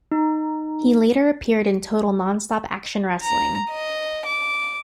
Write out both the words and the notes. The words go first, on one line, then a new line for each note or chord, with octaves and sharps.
He later appeared in Total Nonstop Action Wrestling.
D#4
A#5
D#5
D6